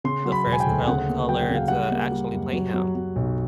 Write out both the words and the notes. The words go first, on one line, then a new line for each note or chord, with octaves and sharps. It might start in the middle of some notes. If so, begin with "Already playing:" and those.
the first col color to actually play him.
C#3 C6
F#3
B5
E1
G#5
G5
D2
C#3 F#5
A#3
F#3 G5
F#5
C#3
F5
G3 F#5
A#3
G3
F#2
F#3
F#3
F#3
B1